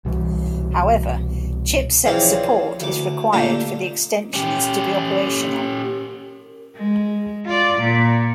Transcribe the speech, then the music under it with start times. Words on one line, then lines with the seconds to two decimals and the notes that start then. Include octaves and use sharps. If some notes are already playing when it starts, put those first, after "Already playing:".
However, chipset support is required for the extensions to be operational.
0.05 C2 B2 E3
2.05 E3 F3 C4 C#4 G#4 D5
2.80 D2 D6
3.33 A#2 D3 A3 A#3 D4 G4
4.34 C#4 G4
6.76 G#3
7.46 F4 D5
7.79 A#2